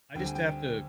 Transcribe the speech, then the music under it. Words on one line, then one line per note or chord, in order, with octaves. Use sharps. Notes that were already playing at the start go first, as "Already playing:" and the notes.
I just have to
D2 D3 G3 C4 G5
G#5
G5